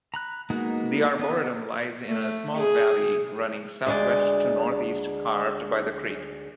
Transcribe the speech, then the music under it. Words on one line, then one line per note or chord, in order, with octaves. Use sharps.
The arboretum lies in a small valley running southwest-to-northeast carved by the creek.
A#5 B5 F#6
G#3 A#3 B3 D#4 F#4
B3 D#5
A3
G#4
D2 G#3 D5